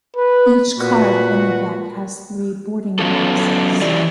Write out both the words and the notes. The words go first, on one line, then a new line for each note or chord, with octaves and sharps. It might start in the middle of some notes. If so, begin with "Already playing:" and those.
Each card in the deck has three boarding boxes.
B4
A#2 F#4 B4
F#3 B3 C#4 F4 F#4 A4
E3 E4 G4 D5